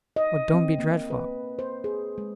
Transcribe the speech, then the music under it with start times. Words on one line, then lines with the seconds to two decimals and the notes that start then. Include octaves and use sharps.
Oh, don't be dreadful!'
0.16 D#5
0.54 C4
0.78 A#3
1.10 B4
1.59 C5
1.84 G#4
2.18 G#3